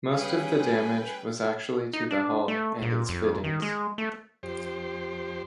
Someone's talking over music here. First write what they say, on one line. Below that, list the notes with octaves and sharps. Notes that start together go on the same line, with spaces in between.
Most of the damage was actually to the hull and its fittings.
G3 C#4 G#4 B4 F5 G5 G#5
D#4
D4
A3
A#2
F2
D#3
G#3
A3
F2 G4 C5